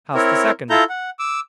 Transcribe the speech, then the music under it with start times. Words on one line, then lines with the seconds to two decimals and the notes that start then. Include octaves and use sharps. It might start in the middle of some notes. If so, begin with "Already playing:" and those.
House the second.
0.15 C4 E4 A#4 C#5
0.70 E4 F4 A4 A#5 G6
0.89 F#5
1.19 D6 E6